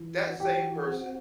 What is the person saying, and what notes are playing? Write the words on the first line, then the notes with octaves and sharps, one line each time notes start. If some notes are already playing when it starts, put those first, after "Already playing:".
that same person
Already playing: E3
F#4
E3 G4
F#4
C4